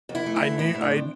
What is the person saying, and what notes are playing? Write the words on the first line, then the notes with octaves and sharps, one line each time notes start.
I knew, I kn
F2
E4
A3
E4
E3
A2 E4
A2
D4
C4